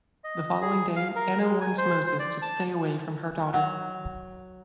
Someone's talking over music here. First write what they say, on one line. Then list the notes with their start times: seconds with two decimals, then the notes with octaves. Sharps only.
The following day Anna warns Moses to stay away from her daughter.
0.24 D#5
0.61 G#4
0.96 F5
1.16 A#4
1.41 G#3
1.61 G#5
1.78 C5
2.07 C5
2.19 D5
2.42 A5
3.54 F#3 F#5